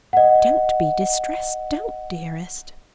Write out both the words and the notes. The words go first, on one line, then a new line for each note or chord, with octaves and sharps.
"Don't be distressed; don't, dearest!"
D#5 F#5